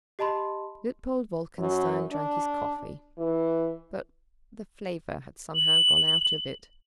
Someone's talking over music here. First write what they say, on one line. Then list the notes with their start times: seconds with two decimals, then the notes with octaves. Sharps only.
Luitpold Wolkenstein drank his coffee, but the flavour had somehow gone out of it.
0.19 G4 D#5 A5 B5 C6
1.58 F#2
2.12 D4
3.18 E3
5.55 F#7